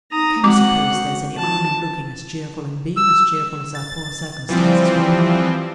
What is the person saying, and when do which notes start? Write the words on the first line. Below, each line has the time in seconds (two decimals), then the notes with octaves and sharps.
Can you suppose there's any harm in looking as cheerful and being as cheerful as our poor circumstances will permit?
0.12 D#4 A#5 D#6
0.44 G#3 C4 F#4 F#5 D6
1.38 F3 A5
2.97 E6
3.75 A6
4.49 E3 F3 G3 C4